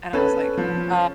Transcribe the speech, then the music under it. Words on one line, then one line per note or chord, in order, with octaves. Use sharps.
and I was like, "Uh,
C#4 A4 B4
F3